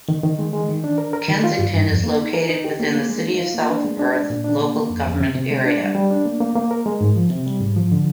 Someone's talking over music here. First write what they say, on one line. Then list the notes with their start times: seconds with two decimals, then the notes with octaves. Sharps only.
Kensington is located within the City of South Perth local government area.
0.09 D#3
0.23 D#3
0.39 G#3
0.53 G#3
0.69 D#3
0.84 D4
0.98 A#4
1.13 A#4
1.29 D#3
1.44 F4
1.59 G2
1.73 G2
1.88 F2
2.04 A#3
2.19 D#4
2.34 A#4
2.49 D#4
2.64 G4
2.80 A#3
2.95 A#3
3.09 G#3
3.24 D#4
3.39 F4
3.54 A#3
3.70 D4
3.84 G#3
3.99 D4
4.15 D4
4.30 A#2
4.44 D4
4.60 A#3
4.75 A#3
4.90 F2
5.05 F2
5.20 C3
5.35 C3
5.50 G#3
5.65 D4
5.81 G3
5.95 G3
6.11 D4
6.25 A#3
6.40 A#3
6.55 A#3
6.71 A#4
6.86 G#3
7.01 G#2
7.16 F3
7.30 C3
7.46 G3
7.61 G#2
7.76 F3
7.92 D3